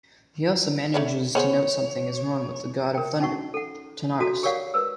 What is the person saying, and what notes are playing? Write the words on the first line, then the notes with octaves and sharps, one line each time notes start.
He also manages to note something is wrong with the God of Thunder, Tanarus.
A3 C#5 D5
B3 G#4 C5 C#5
A#4 G5
C#4 D#4 F#4 E5 F#5 C#6
A4 F#5
F#4 A4 A#5 D#6
G4 A#4 C#5 D5 F5 F#5
A#4 B4 E6